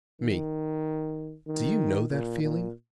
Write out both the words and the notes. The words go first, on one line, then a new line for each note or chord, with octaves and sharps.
ME: Do you know that feeling?
D#3
D#3
A#2
A#2